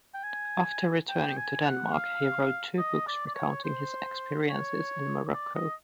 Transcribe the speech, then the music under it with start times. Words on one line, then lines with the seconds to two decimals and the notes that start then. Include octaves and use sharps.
After returning to Denmark, he wrote two books recounting his experiences in Morocco.
0.14 G5
0.23 G#5
1.09 G5
1.37 G#5
1.65 F#5
1.93 F5
2.78 D#5
3.08 D5
3.27 D5
3.35 C#5
3.64 C5
4.49 C#5
5.34 D5
5.55 D#5